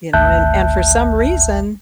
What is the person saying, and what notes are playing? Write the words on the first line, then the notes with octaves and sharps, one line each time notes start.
you know. And and for some reason,
G#1 D2 E5 A5 F#6 G6